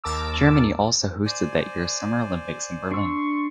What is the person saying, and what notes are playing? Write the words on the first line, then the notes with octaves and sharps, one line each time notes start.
Germany also hosted that year's Summer Olympics in Berlin.
D#2 A#4 A5 D6 E6
C5 D5 G#5
D4 C6 C#6 E6